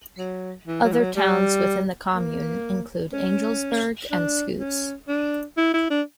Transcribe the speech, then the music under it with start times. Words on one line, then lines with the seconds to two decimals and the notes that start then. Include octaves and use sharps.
Other towns within the commune include Angelsberg and Schoos.
0.18 F#3
0.67 E3
0.84 F#3
0.92 E3
0.99 F#3
1.16 G3
2.14 A#3
3.13 C#4
4.11 D4
4.59 C#4
5.08 D4
5.57 E4
5.74 E4
5.90 D4